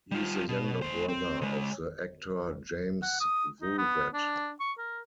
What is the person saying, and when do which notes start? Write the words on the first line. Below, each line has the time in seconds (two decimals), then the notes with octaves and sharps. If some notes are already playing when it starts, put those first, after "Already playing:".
He's the younger brother of actor Jaimz Woolvett.
0.12 G3 F4
0.49 B2
0.82 A3 C5
1.08 C4
1.41 C#3 G#3
3.02 F#5
3.21 D#6
3.62 D#4
3.78 B3
4.14 D4
4.60 C#6
4.78 A#4